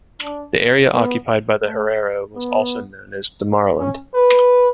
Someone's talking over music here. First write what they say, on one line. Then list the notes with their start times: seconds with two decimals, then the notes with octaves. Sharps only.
The area occupied by the Herero was known as Damaraland.
0.21 D4
0.93 B3
1.64 A3
2.36 B3
3.79 C#4
4.14 B4